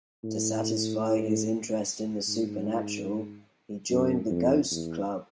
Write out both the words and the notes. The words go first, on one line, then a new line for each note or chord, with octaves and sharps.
To satisfy his interest in the supernatural, he joined The Ghost Club.
A2
G#2
F#2
F2
E2